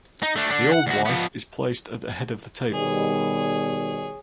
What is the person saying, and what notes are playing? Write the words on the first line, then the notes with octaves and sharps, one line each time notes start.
The Old Wife is placed at the head of the table.
D#4
A3 D4
D3 D4
F#5
D2 F#4
F3 B3
B2 D#3 G3 G#4 C#5